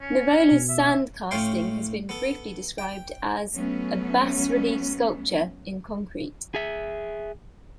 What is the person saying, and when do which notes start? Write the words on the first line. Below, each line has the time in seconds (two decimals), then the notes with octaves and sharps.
Nivola's sand casting has been briefly described as a bas-relief sculpture in concrete.
0.01 C#4
0.51 B2
0.68 E5
1.31 A2 C#4 F5 G5 C6
2.09 B3 A4
2.78 G5
3.54 F#3 A3 B3 C#4
6.55 G#4 E5